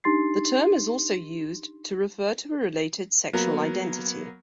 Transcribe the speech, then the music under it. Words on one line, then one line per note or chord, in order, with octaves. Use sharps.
The term is also used to refer to a related sexual identity.
D4 D#4 G4 C6 A6 C7
F#3 A#3 B3 A#5